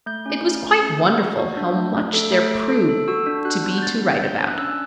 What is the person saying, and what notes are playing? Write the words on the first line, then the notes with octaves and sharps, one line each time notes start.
It was quite wonderful how much there proved to be to write about.
A3 G6
C#4
A3
A3
C#4
A3
F#4
F#4
D4
A3
A3
A4
A3
A4
A4
A4
F#4 E6
D4
F#4 F#6
B3
G6
D4 A6
B3
A6
D4 G6
D4
F#6
C#4 E6